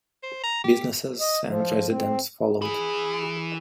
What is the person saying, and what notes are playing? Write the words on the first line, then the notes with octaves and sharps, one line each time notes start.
Businesses and residents followed.
C5
A#5
G4
D#5
F3
C4
E3 G#4